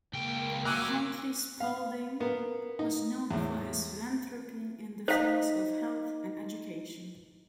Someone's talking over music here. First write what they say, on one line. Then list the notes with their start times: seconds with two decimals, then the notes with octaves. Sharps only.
Huntley Spaulding was known for his philanthropy in the fields of health and education.
0.13 C#2 A#3 G5
0.65 F#4 A#4 G#5 D6 E6 F#6 D#7
1.60 F5
2.20 A#3 B3
2.79 D#4
3.31 E2 A2
5.08 D#4 C5 F5